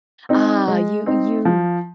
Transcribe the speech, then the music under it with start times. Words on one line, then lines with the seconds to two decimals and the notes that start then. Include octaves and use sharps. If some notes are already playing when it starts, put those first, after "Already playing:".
Ah, you you
0.29 C4 D#4
0.68 G#3
1.06 C4 D#4
1.45 F3